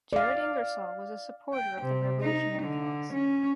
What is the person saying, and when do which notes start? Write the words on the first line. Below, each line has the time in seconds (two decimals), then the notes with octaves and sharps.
Jared Ingersoll was a supporter of the Revolutionary cause.
0.13 D5 F5
1.53 G5
1.81 C3
2.21 D#4
2.62 D3
3.13 C#4